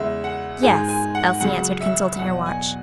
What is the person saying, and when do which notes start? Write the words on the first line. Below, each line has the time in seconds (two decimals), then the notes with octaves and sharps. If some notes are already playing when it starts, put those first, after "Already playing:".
"Yes," Elsie answered, consulting her watch.
Already playing: E2 C#3 G#3 E5
0.24 F#5
0.63 G#2 G#3 G#5
0.89 G#5
1.15 F#5
1.40 C#2 C#3 F#3 F#5
1.81 E5
2.19 E2 B2 F#3 F#5
2.46 G#5